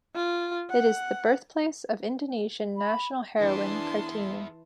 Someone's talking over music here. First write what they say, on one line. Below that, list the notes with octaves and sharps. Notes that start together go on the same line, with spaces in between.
It is the birthplace of Indonesian national heroine Kartini.
F4
F#5
B5
E3 D4 E4 G#4 A5 C6